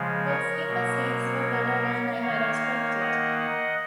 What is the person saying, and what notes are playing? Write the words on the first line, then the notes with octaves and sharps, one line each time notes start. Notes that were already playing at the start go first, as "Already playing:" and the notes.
The cheaper seats were better than I had expected.
Already playing: C#3 F3 G#3
A#4 C#5
B2 F#3 A#3
D#3 A#3 C#5 F5
D#5 F#5
D#5 F#5